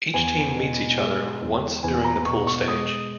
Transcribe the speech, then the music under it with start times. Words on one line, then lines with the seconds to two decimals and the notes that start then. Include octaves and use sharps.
Each team meets each other once during the pool stage.
0.14 E2 G#5
0.56 B2
0.99 G#3
1.41 E2
1.83 E2 G#5
2.05 A#5
2.26 B2 C#6
2.47 C#6
2.68 G#3 D#6